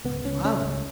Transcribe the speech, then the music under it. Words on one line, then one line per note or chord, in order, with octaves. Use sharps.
"My father!"
C#2 B3
C#2 C#4
C#3 C#4
C#2